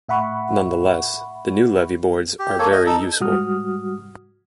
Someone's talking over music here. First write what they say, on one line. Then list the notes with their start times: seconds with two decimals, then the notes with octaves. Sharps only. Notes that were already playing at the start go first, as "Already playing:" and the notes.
Nonetheless, the new levee boards are very useful.
0.09 A2 E5 F#5 B5 C#6
2.39 G4
2.59 A#3 A4 C#5
2.72 D#5
2.86 D#4 A4
3.20 G#2 G3 F#4 D#6 F6